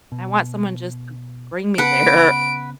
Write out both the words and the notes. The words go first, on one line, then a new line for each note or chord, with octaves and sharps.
I want someone just to bring me there
B2
C#3 B3 B4 F#5 D7